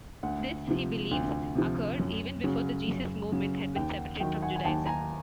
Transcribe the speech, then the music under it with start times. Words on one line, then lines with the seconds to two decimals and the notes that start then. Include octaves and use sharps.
This, he believes, occurred even before the Jesus Movement had been separated from Judaism.
0.23 D2 F#5
0.68 C3 F3
1.11 D2
1.55 C3 F3
2.00 F#2
2.44 C#3 F#3
2.88 F#2
3.32 C#3 F#3
3.76 D#2 G5
3.98 F#5
4.20 D#3 F#3 G5
4.42 F#5 G#5
4.56 G#5
4.65 D#2 G5 A5
4.86 G#5 A#5